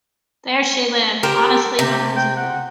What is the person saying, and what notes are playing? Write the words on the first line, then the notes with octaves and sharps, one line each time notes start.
There she lived honestly but miserably.
G4 A#4 C5
A4
C3 G4
G5
F#5